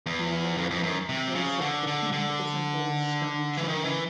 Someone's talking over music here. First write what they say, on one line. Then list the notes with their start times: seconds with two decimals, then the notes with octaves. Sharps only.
The only remaining trace of the camp is an old stone chimney.
0.06 E2
0.58 F2
0.71 F2
0.83 F#2
1.09 C3
1.35 C#3
1.61 D3
1.87 D3
2.13 D3
3.57 E3
3.68 D#3
3.84 E3